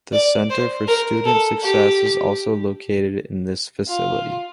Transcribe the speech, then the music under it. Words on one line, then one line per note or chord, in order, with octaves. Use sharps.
The Center for Student Success is also located in this facility.
D5
C5
A#4
A4
G4
F4